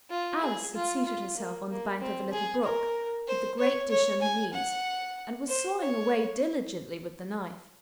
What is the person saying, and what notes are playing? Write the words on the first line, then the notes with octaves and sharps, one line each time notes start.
Alice had seated herself on the bank of a little brook, with the great dish on her knees, and was sawing away diligently with the knife.
F4
G#4
F4
F4
A#3
A#3
C4
G#4
A#4
C5
C#5
C#5
G#5
F#5
C5
C#5